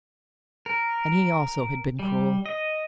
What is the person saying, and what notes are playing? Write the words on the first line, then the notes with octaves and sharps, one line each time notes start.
And he also had been cruel.
A#4
G3
D#5